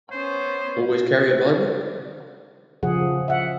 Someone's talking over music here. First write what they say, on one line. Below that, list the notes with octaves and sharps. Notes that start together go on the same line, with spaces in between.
Always carry a bible?
B3 C#4 C5
C#3 F3 G#4 F#5
E5 F#5